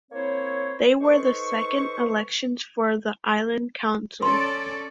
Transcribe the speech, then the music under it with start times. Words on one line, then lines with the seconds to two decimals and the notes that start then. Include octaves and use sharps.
They were the second elections for the Island Council.
0.12 A#3 C4 E4 C5 C#5
1.01 D#4 A4 B4 C5 C#6
4.22 C#4 A4 D5 C6